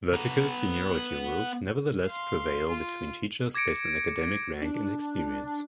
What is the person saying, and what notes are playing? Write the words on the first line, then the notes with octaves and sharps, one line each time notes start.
Vertical seniority rules nevertheless prevail between teachers based on academic rank and experience.
B3 A#5
F5 C6
F4
D6 G#6 A#6 C#7 D7
D4